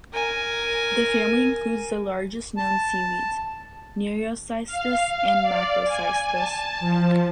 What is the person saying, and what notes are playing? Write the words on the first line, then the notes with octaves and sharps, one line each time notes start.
The family includes the largest known seaweeds: "Nereocystis" and "Macrocystis".
A#4 G#5
A5
F5
D5
G#5
A5
F3